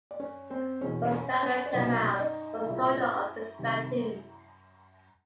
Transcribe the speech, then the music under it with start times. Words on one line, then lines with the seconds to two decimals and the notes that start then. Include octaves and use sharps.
Mostafa Kamal was a soldier of this platoon.
0.11 D5
0.20 C#4 C#5
0.50 C4 C5
0.81 E2 B2 G#3 C#4 C#5
1.12 C#4 C#5
1.43 C#4 C#5
1.66 D5
1.74 C2 B2 F#3 A#3 C#4 D#4 C#5
2.14 D5
2.20 D#4 D#5
2.66 C2 A#2 F3 G#3 E4 E5
3.58 C3 D#3 G3